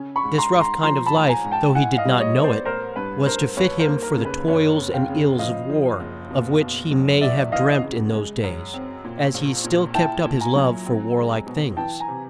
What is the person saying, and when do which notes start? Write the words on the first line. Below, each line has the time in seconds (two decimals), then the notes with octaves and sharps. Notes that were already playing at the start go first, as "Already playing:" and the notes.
This rough kind of life, though he did not know it, was to fit him for the toils and ills of war, of which he may have dreamt in those days, as he still kept up his love for war-like things.
Already playing: C#3 C#4
0.16 B5 C#6
0.23 G#2
0.38 A#5 C6
0.53 G#2
0.60 A#5 C6
0.83 F3 A#5 C6
1.06 A5 B5
1.15 A1
1.29 G#5 A#5
1.44 G#2
1.52 G5 A5
1.75 E4 F#5 G#5
1.97 D#5 F5
2.05 G3
2.20 C#5 D#5
2.35 B3
2.44 C5 D5
2.65 A1 A#4 C5
2.96 G2 B4
3.26 G2 A#4 C5
3.57 D#2 B4 C#5
3.80 A#4 C5
3.87 A#3
4.02 A#4
4.18 C#3
4.25 B4
4.48 F#1 B4 C#5
4.79 C#3
4.94 F5 G5
5.09 C#3
5.39 F3 D#5 F5
5.70 F3
6.00 F#1
6.31 B2
6.61 B2
6.91 F#3
7.21 E2 D5 E5
7.52 E3 D#5 F5
7.82 C#3
8.13 G#3
8.43 F#2
8.74 C4
9.05 A#2
9.34 A#1
9.64 A#2
9.94 E4 G5 A5
10.25 A#2
10.41 G#5 A#5
10.56 F#3
10.86 C4
11.17 G#3
11.47 B2
11.77 E3 G5 A5
12.00 G#5 A#5
12.08 C3